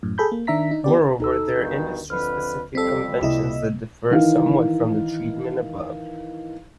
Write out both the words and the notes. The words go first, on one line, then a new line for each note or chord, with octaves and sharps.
Moreover, there are industry-specific conventions that differ somewhat from the treatment above.
F#2 A2
G#4 A4 B5 G6
A#3
D#3 D4 E5 A#5 B6
D#4
B3 G4 D5
D2 D#4 A4 E6
G2 B2 D#3 G6
F2 D3 B4 F6
F2 G3 C4 A4 E6 B6
C#2 C3 A#3 E4 D#5
D#3 E3 F5